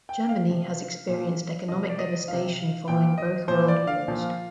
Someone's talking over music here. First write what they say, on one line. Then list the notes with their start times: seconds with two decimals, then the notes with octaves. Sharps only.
Germany has experienced economic devastation following both World Wars.
0.09 G5
0.29 F5
0.49 C3 F3
1.09 A#2 F3
1.68 C3 F3 D#5
1.89 D5
1.98 D#5
2.28 C3 F3 F5
2.88 A#2 F3 G5
3.18 D#5
3.48 A#2 F3 C5
3.68 D5
3.87 F5
4.08 A#2 F3